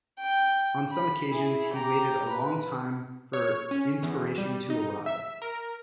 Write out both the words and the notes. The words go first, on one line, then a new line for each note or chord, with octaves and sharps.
On some occasions he waited a long time for inspiration to arrive.
G5
B5
E4 G#4
G4 A#5
B4
C#5
C#4
E2
G3
D#4
E5
A#4